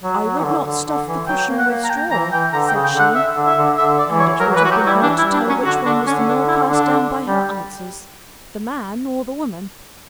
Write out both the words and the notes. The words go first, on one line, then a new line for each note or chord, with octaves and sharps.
"I would not stuff the cushion with straw," said she; and it would have been hard to tell which one was the more cast down by her answers, the man or the woman.
F#3
F#3
E3
D3
D3
D3
E3
F#3 G5
A#3
F#5
A#3
A#5
G5
E3 A#5
E3 G5
D3 A#5
G5
C#3
G5
D3
F#5
E5
D3
E5
D3
D3 E5
D5
E3
C#5
F#3 A#4
F#3
E3 B4
F#4
F#3 G4
G3 E4
E3 D4
E4
G3
D4
F#3
C#4
D3 F#4
D3 D4
D3 C#4
D4
E4
D4
G3